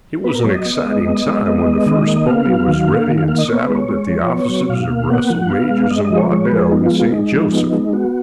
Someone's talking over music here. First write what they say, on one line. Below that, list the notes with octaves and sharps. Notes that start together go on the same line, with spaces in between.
It was an exciting time when the first pony was ready and saddled at the offices of Russell, Majors & Waddell, in St. Joseph.
B3 B4
A#4
F#3 C#5
D#5
B3
G#3
B3
G#3
B3 D#5
G#3
D#3
A#3
B3 F5
F#3
D#3
A#3
D#3
F5
A#3 F5
D#5
B3 C#5
B4
G#3
C#5
G#3
F3
B3
F#3
B2 F5
A#3
B3 F#5
F3
B3 F5
G#3
G#3 D#5
D#5
F3
C#5
G#3 C#5
B4
F3
G#4
B3 D#4
F4
G#3
F4
G#3 D#4
F3
B3
G#3
B3 F#4